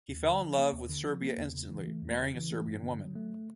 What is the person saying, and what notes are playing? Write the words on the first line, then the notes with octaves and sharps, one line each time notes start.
He fell in love with Serbia instantly, marrying a Serbian woman.
D#2
D3
F3
A#3
D#2
D3
F3
A#3
E2
C#3
E3
A3
E2
C#3
E3
A3
G2
D3
F#3
A3